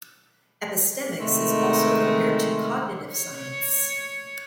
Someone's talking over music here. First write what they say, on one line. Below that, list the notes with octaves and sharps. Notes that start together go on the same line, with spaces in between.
Epistemics is also compared to Cognitive Science.
C3 D#3 G#3 A3
C#5